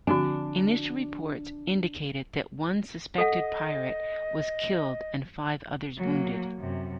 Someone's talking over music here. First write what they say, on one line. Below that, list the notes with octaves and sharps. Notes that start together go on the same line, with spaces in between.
Initial reports indicated that one suspected pirate was killed and five others wounded.
D3 F3 C4 D4 F#4 G#5
A4 D#5 F#5
F#3 A#3
F#2 C3